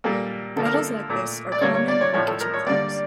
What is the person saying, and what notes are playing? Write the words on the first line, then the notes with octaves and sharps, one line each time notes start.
Puddles like this are common on kitchen floors.
A#2 G3 A#3 A4
D3 F3 A#3 A4
A#4
A4
A#2 A3
D5
D3 G3 A#3 C#5
C#5
D5
C#5
A2 F3 A3 C#5
A4
A#4
C#5
D3 G3 A#3 D5